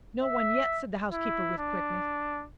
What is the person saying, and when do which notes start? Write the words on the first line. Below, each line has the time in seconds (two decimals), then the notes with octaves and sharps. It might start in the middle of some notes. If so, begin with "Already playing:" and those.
"No one yet," said the housekeeper, with quickness.
0.22 E5
1.12 E4
1.59 D4